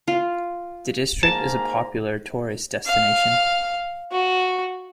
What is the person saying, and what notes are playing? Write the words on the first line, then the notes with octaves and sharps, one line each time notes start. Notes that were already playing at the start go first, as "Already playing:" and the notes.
The district is a popular tourist destination.
F4
G#2 A#3 A5 A#5
F5
F#4